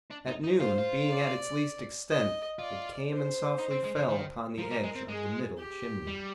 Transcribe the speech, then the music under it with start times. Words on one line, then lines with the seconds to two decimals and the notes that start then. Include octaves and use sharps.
At noon, being at its least extent, it came and softly fell upon the edge of the middle chimney.
0.10 D4
0.27 D#4
0.44 D#4
0.59 F4 C5
0.78 F4
1.10 D5
2.10 D#5
2.59 F4 D5
3.10 C5
3.58 D#4
3.71 C4
3.84 G#3
3.96 F3
4.09 D#3
4.58 F3 A#4
4.71 G3
4.84 G#3
4.96 C4
5.08 G#3 G#4
5.58 G4
6.07 G3